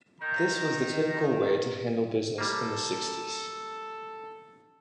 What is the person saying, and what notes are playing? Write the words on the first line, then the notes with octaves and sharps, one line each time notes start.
This was the typical way to handle business in the sixties.
D#3 A#5 G6
G3 A#3 A4